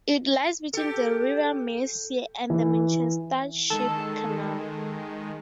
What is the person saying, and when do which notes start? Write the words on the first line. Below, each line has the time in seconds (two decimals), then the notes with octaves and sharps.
It lies between the River Mersey and the Manchester Ship Canal.
0.74 G4 A4
2.50 E3
3.70 D#3 G#3 A4